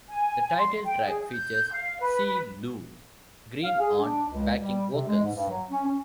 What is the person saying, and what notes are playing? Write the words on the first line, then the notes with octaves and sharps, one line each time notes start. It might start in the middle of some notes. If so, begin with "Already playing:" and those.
The title track features Cee Lo Green on backing vocals.
G#5
C6
G5
G#4
G6
F5
B4
F5
G#4
D4
C#2
G3
C3
G#3
G#2
G2
F#3
C#4
C#4